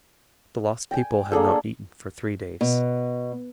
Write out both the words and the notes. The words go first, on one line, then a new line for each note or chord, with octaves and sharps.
The lost people had not eaten for three days.
G5 G#5
A#3 D4 G#4 A4
B2